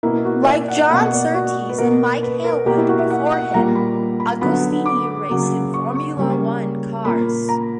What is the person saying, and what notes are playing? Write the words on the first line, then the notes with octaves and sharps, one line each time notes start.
Like John Surtees and Mike Hailwood before him, Agostini raced in Formula One cars.
B2 A#3 E4
F#4
D5
E5
F#5
B2 A#3 F#5
D5
F#4
B4
B2 A#3 A#4
B4
A#4
B2 A#3 G4
E4
F#4
E5
F#5
F#5
A#2 G3 A#3 A#5
B5
B5
D3 F#3 B3 B5
D6
C#3 F#3 A#3
C#6
C#6
C#3 G3 A#3
A#2 A#3 B5
A#5